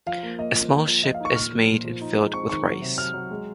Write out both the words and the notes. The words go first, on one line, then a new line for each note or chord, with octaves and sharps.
A small ship is made and filled with rice.
F3 F5
A#3
A#3 D#5
F3
A#3
F3
F3 D#5
F5
D#4 C#6
A#2 F6
F3
A#2
F3
D#4
G#3
C4 C#6
D#3 C#6
F#3
C3
F#3 F6
F#3
G#3